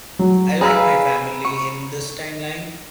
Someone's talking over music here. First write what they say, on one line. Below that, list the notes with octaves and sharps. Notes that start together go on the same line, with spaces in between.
I like my family in this timeline.
F#3
G#4 B4 F5 A#5 B5 E6
C#6